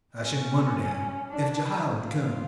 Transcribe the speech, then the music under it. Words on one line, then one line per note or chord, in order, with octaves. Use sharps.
I shouldn't wonder, now, if Jehiel would come.
C#4
D4
F4